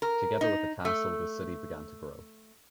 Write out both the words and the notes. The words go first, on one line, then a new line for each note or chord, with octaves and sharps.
Together with the castle the city began to grow.
A#4
D#4
A3